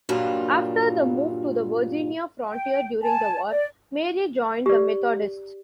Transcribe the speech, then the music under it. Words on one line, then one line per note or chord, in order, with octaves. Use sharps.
After the move to the Virginia frontier during the war, Mary joined the Methodists.
G2 A#2 F#3 G3 D4 F4
G5
G#5 A5
D5
G4 D5